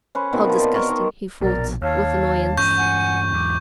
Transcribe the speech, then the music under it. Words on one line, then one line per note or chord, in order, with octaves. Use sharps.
"How disgusting," he thought with annoyance.
C#4 B4 C5 C#6
B2 D#3 A#3 C4
F4 A5
D5 A5
F4 A#4 C#6
D#3
A#1 B2 A#4 D5
D#2 C#5 F5 A5
G2 E3 C#4 C#6 G6
F#5 G#5
E1 E2 G#2 D6